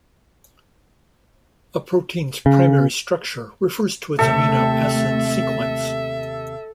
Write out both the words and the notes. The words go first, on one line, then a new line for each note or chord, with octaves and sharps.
A protein's primary structure refers to its amino acid sequence.
C#3
D#2 C3 A3 A4 E5